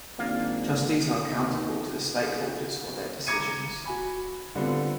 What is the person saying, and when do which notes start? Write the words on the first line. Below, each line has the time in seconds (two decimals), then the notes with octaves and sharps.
Trustees are accountable to stakeholders for their decisions.
0.19 G#1 A#3 D4 F4 F5
1.30 D#2 B2 D#4 G4 B4
3.27 A#5 D6 G#6 C#7 D#7
3.85 F#4 G#5 B5
4.55 D3 G3 B3 C4 F4